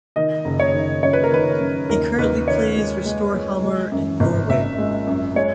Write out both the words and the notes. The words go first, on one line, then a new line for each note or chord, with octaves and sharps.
He currently plays for Storhamar in Norway.
D#3 D#5
F#1
C#5
D#3
F#2 C#5
B4
A#4
D#3 B4
F#2
D#2 A#4
D#2 B4
D#3 C#5
G#3
G#3
G#3
G#3
F#2
G#1
G#1 E5
G#3
F#2
G#3 C#5